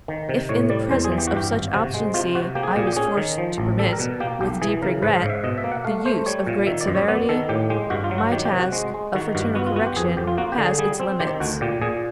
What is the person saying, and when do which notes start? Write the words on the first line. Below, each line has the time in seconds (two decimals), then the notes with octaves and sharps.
If in the presence of such obstinacy I was forced to permit, with deep regret, the use of great severity, my task of fraternal correction has its limits.
0.08 D#3
0.29 C3
0.49 A2 C#5
0.70 G3 D5
0.91 E2 C5
1.04 G#4
1.12 E3
1.18 G4
1.27 F#4
1.32 G2 G4
1.52 G#1
1.73 C3 F#4
1.94 G#3
2.14 C3 F4
2.35 C3 F#4
2.55 A#3 G4
2.63 G#4
2.71 G4
2.76 A#2 G#4
2.87 G4
2.96 C#4 G#4
3.17 D#3
3.38 F3
3.58 A1
3.79 G3 A4
3.93 A#4
4.00 B2
4.20 A#3 G4
4.41 B1 G4
4.62 E3 G#4
4.82 C#3 A#4
5.02 G#2 B4
5.16 F5
5.23 G#2
5.30 E5
5.44 B2 D#5
5.58 E5
5.64 A#3
5.72 F#5
5.84 A3 F5
6.05 A3 C5
6.26 G3 C#5
6.47 A#2
6.67 D#3 E5
6.81 D5
6.88 F#2
6.95 C#5
7.08 B3 D5
7.29 D#3 A4
7.49 A2 G4
7.70 G#3 G4
7.90 G2 F#4
8.04 F4
8.11 F#3
8.18 F#4
8.32 D#3 G4
8.45 G4
8.52 C3
8.60 F#4
8.72 G#3
8.94 G#3
9.14 D#3 F#4
9.35 G2 F#4
9.55 B3 F#4
9.66 F4
9.76 B3 F#4
9.86 G4
9.97 F2 G#4
10.17 F2 G4
10.27 F4
10.38 A#3 F#4
10.52 G4
10.58 D3
10.65 G#4
10.79 G3 G#4
11.00 C4
11.20 D#3 G4
11.40 D2 F#4
11.61 A#2 G4
11.81 A#2 G#4